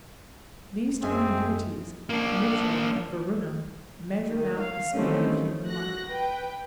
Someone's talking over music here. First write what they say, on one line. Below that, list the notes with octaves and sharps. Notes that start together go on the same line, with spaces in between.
These twin deities, Mitra and Varuna, measured out the span of human life.
F#2 G#3 C4 E5 G#5
A#3 D4
D#3
F5
D#3 E3 G3 A3 C4 C#4
A3
F#4 F#6 A#6
B4 G5